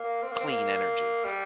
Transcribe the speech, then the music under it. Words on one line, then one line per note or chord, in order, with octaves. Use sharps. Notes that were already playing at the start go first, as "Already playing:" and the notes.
clean energy,
Already playing: A#3
C4
A#3
C4
A#3
G3